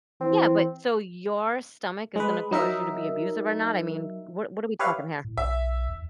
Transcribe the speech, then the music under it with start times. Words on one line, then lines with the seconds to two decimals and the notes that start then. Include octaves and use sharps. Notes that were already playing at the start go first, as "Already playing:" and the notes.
Yeah, but so your stomach is gonna cause you to be abusive or not? I mean, what what are we talking here?
0.21 E3 C4
2.16 G#3 B4
2.51 F#3 D#4 A#4 E5
4.79 G4 B4 C#5 E5 F5
5.25 A2
5.37 B1 E5
5.89 E2